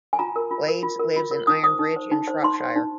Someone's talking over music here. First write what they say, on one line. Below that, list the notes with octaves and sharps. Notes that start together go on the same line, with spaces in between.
Blades lives in Ironbridge in Shropshire.
G#5
F4 A#5
A#4
F4
A#4
F4
A#4
F4
A#4
D#4 D#6
C5 D#6
D#4
C5
D#4
C5
D#4 C6
C5
D#4